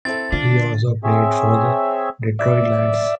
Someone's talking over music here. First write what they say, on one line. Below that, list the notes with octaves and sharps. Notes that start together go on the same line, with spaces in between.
He also played for the Detroit Lions.
C4 E4 A4 A6
D3 D4 F4
C4 G#4 C#5 E5
D5 E5